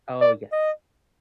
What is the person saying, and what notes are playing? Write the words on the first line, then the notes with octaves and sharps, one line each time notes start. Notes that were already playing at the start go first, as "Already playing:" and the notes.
Oh, yes.
D5
D#5